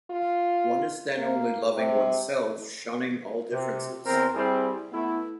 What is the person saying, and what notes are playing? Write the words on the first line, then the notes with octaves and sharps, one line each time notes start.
One is then only loving oneself, shunning all differences.
F4
A#3
C3
C3
E2 C4 A#4
G3 C4 E4 G#4
A3 B3 E4